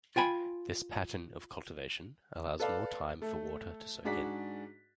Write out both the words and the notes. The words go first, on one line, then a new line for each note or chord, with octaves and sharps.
This pattern of cultivation allows more time for water to soak in.
F4 G5 G#5 B5
A4 B4 D5 F5 A5
A3 A4
G#2 D4 F#4 G#4 D5 B6